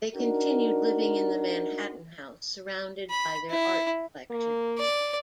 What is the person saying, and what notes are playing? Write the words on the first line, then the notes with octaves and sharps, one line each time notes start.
They continued living in the Manhattan house surrounded by their art collections.
D4 D#4 F#4 A#4
B5
E4
A#3
D5